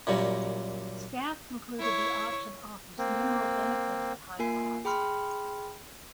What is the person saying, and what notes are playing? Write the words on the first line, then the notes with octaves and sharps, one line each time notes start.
Staff concluded the option offers minimal benefit but high cost.
F#2 A#2 G3
E4 C#5
A#3 C4
A#3 F4 A#4 G#5 C7
G#4 G5 B5 C6 F6